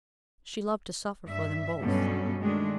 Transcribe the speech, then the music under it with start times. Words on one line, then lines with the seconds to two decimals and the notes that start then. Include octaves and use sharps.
She loved to suffer for them both.
1.29 G2 E5
1.81 G2 B2 F#3 G3 C#4 A4
2.41 D#3 G#3 A3 D4